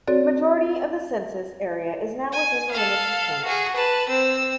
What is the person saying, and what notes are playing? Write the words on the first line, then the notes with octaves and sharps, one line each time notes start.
The majority of the census area is now within the limits of Kent.
C4 F#4 A4 C#5 D5
G#5
A4 F5
F#4 G#4
B4 A5
C4 E6